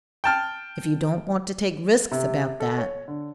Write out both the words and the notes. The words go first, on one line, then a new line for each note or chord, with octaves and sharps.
If you don't want to take risks about that--...
G5 A5 F6
C3
A4
C#5
D3